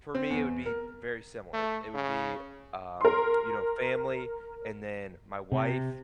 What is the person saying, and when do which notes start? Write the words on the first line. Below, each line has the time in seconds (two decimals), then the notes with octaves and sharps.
For me, it would be very similar. It would be, um, you know, family, and then my wife.
0.15 C4
0.30 E2
0.66 A#4
1.53 A3
1.95 C#3
3.01 A#4 C6
5.52 C3